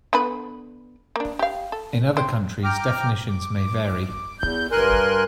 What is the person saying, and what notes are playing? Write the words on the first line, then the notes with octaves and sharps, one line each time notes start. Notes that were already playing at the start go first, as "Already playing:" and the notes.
In other countries definitions may vary.
D3 B3 B4
A#3 D4
G4 F5
A4
C4
G5 A#5 D6 F6
D6
E2 G6
G2 A#4 G#5 C6 F#6